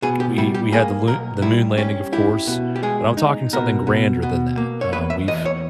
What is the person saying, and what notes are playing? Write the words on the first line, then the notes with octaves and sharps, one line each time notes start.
we we had the loo the moon landing, of course, but I'm talking something grander than that. Uh, we've
B2 G#4
G4
G3 E4
G4
A#3 G#4
B1 A#4
G3 E4
C#4 G4
E4 G4
B2
G4
G#3 G#4
D#4
B2 A#4
B2
B2
A#3
C#5
E2 B4
E5
E2 D#5
C#5